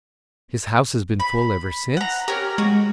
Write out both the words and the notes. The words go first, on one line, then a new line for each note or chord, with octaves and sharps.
His house has been full ever since.
B5
F#5 A#5
C#4 G4 A#4 F6
G#3 F#4